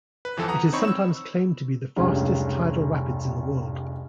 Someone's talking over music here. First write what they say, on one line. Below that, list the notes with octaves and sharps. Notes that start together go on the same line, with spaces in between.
It is sometimes claimed to be the fastest tidal rapids in the world.
B4
G1 F2 E3 F3 A4
F#5 A#5 D#6
C4 D#4 C#5 B5 C#6 C#7
E6 E7
F1 C#2 G2 C#4